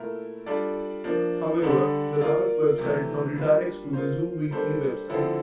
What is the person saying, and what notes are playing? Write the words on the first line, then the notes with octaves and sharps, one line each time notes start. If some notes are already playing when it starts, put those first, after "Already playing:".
However the Ralph website now redirects to the Zoo Weekly website.
Already playing: A#2 A3 E4 A#4
G3 D4 F4 A4 D5
F3 A#3 D4
D3 G3 D4 A4 D5
A#3 F4 A#4 D5
C3 E3 A3
G3 A#3 D4 F4
A#3 F4 C5
G3 A#3 D4 A4 C5
D3 F3 C4 E4 A4